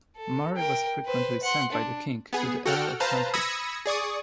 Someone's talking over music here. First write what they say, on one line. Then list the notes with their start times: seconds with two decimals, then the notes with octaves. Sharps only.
Murray was frequently sent by the king to the Earl of Huntly.
0.17 A4
0.57 A#4 G5
1.06 B4 C5
1.43 F#5 C6
1.72 D4
2.33 B3 G#4
2.66 F#4 A4 F#5 G5 F6
3.00 B4 C5 F5 A5 A#5
3.34 B5 D#6 E6 G#6 A#6 C#7
3.86 G#4 D5 C#6 D#6